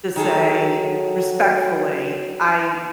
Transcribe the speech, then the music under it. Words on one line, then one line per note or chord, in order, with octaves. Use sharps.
to say respectfully, "I
D#3 F#3 G#4 A4